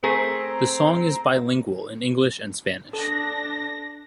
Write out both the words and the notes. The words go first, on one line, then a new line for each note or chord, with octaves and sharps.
The song is bilingual in English and Spanish.
A3 C4 G#4 A#4 A#5
D4 A4 A#6